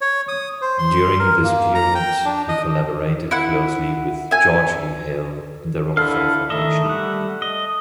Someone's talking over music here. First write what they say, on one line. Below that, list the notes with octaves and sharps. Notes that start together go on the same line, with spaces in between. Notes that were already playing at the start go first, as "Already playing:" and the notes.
During this period he collaborated closely with George E. Hale and the Rockefeller Foundation.
C#5
D#6
C5
C6
A#4
A#3
A#5
G5
D4
D#5
E4 F#5
E5 G#5
D3 E4 A4 F5
D#3 A3 D#5 E5
G3 F#5
D#5